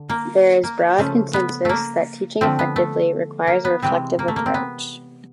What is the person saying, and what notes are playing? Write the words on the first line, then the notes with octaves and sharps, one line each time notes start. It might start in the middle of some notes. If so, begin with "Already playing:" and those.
There is broad consensus that teaching effectively requires a reflective approach.
Already playing: D3
A#3
A#3
C#3 F3 A3
B3
A3 A#3
D3 F3 A3 C4
B3
A3
A#3
B3
C3 E3 G#3 C4
A#3
A3
A#3
C4
B3